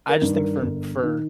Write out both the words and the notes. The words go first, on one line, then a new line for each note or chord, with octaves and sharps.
I just think for for
A#4
G2 D#3
A#4
G1
D#3